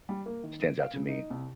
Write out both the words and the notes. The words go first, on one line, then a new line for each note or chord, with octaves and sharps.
stands out to me.
G3
A#3
D#3
D7
F5
C#3
D#4
C2